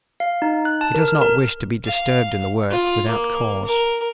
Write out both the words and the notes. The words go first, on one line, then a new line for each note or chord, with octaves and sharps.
He does not wish to be disturbed in the work, without cause.
F5
D#4
F#6
A5
A#4
F6
A#4
F5
F4
A#3
A#4